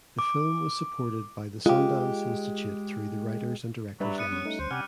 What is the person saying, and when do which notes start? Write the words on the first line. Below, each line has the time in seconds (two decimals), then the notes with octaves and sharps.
The film was supported by the Sundance Institute through the "Writers and Directors Labs".
0.19 D6
1.66 G#3 F4 G4
4.00 F#3 G3 D4 B4 D5 E5
4.18 B3 F#6 C#7 D#7
4.33 C#4 C#6
4.45 A3 D#4
4.59 D2 C5
4.71 C3 G3 F#5 G#5 F6